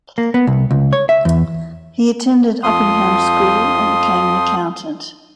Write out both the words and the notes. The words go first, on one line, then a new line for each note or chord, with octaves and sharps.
He attended Uppingham School and became an accountant.
A#3
B3
C2
C#2
C#5
E5
E2
F2 F3 C6 D#6